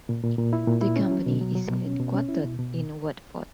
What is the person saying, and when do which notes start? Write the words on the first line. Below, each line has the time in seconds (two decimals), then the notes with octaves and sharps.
The company is headquartered in Watford.
0.09 A#2
0.24 A#2
0.39 A#2
0.53 E4
0.67 A#2
0.81 E4
0.96 C#4
1.11 F#3
1.26 B2
1.41 F#3
1.55 F#3
1.70 B2
1.86 C#4
1.99 B2
2.15 C#4
2.29 E4
2.44 B2
2.59 B2